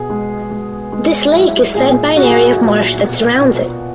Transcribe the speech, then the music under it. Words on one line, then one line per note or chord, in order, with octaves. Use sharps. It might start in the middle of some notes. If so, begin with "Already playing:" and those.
This lake is fed by an area of marsh that surrounds it.
Already playing: B2 G#4
G#3
G#3
G#3
F#3 E4
A#2 G#4
A#2 F#4
G#4
F#4
A#2
B2
B2